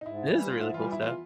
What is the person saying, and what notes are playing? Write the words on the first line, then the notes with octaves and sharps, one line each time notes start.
This is really cool stuff.
D#4
G#2 E4
E3 G3
G#2 F4
E4
E3 G3 F4
E2 E4
F4